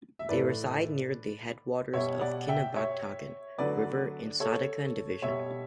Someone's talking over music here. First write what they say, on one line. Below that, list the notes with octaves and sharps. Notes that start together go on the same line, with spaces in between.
They reside near the headwaters of Kinabatangan River, in Sandakan Division.
E5
A2 E3 A3 B4 D5
B2 G3 C#5 E5
D5 F#5
E5 G5
C#5 E5
D3 F#3 A3 B4 D5
A4 C#5
B2 G3 C#5 E5